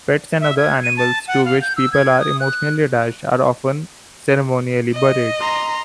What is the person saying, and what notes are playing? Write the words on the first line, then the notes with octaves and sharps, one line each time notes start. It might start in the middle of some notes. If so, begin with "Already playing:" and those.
Pets and other animals to which people are emotionally attached are often ceremonially buried.
E5
G#6
D#7
A5
F#5
F5
G6
E6
G#6
D#6
F#6
D#5
A#5 C6